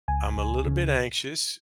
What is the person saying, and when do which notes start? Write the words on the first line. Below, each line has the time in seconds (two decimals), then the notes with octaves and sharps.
I'm a little bit anxious.
0.08 C#2 G#5
0.37 C#2
0.66 C#3